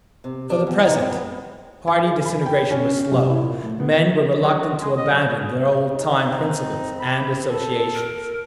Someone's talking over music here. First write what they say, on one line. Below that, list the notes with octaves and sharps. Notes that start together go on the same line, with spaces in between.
For the present, party disintegration was slow; men were reluctant to abandon their old-time principles and associations.
C3
D4
E2
D#4
C4
B3
G#5
G#4
B5
G5
C#4
C#5
C3
E4
A#2
A3
B3
F#3
F#4
G#3
D#5
F#3
D#4
C4
B5
A4
A#4